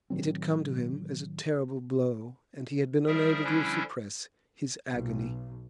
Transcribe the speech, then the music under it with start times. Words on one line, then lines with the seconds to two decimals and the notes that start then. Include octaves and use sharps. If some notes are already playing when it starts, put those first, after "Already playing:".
It had come to him as a terrible blow, and he had been unable to suppress his agony.
0.10 A2 D#3 F#3 C4
3.07 F3 G3 G#4 A#4 E5
3.44 D3 F3 G3 C#4 D4 E4
4.89 B1